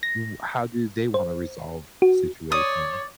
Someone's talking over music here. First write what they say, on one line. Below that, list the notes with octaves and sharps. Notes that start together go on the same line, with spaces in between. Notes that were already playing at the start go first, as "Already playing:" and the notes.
w how do they wanna resolve the situation?
A#6
C5
F#4
C#5 D5 D#6